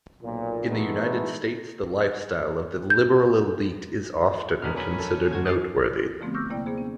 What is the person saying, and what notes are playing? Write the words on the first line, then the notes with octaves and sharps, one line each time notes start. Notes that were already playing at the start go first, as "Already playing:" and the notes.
In the United States, the lifestyle of the liberal elite is often considered noteworthy.
B1 A#2
E3 G#3 A3 B3 D#4
G6
F#2 B2 D3 G#3 A#4 B5 F6
C#4 A#4 B5
A4
D2 G#2 F#4 G#6
G#4 D#5 A6 C7
D3 F3 A3 B3 C4
C#6 D6 E6 F6 G6 A#6
D#2 C3 A#3 E4 D5 G5
A#3 B3 G#4 C5
C#4